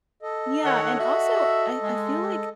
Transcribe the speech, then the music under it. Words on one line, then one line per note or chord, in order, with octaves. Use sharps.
Yeah, and also I I feel like,
A4 D#5
D#3 C#5 F#5
F#4 E5
G#3